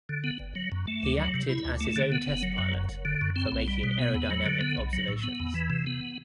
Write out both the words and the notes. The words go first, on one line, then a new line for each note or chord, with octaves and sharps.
He acted as his own test pilot for making aerodynamic observations.
D3
B3
G1
F#3
F#2
A3
D2
F#3
C3
E4
D2
A3
D3
B3
F#1
F#3
F#2
F#1
F#1
D3
F#2
C4
B1
G3
B2
B3
E2
F#3
D3
B3
B1
F#3
A2
B3
E2
E3
C3
B3